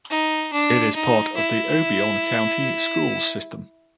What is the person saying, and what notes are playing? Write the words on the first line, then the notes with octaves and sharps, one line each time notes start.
It is part of the Obion County Schools system.
D#4
D4
D#4
E4